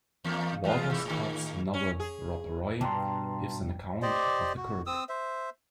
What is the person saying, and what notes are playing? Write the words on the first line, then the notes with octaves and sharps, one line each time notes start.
Walter Scott's novel "Rob Roy" gives an account of the kirk.
E2 A#3
E2 G#3 F4
E2 E3
A2 D#3
C#4
G#4
G2 B2 A5 A#5 C6
G4 C5 D5 D#5
F#4
C4 D#6 E6
C5 E5